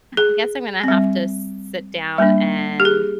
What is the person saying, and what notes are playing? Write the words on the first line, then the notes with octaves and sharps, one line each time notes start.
I guess I'm gonna have to s sit down and
G#4
G3 C4
G3 A#3 D4
G4
G#4